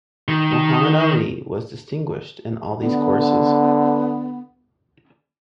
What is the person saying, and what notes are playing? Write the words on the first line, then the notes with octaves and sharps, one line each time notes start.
Mohammad Ali was distinguished in all these courses.
D#3
D3 B3